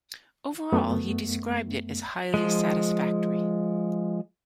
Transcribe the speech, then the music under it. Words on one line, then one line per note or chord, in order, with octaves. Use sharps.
Overall he described it as 'highly satisfactory'.
F#2 A3 B3
F3 G#3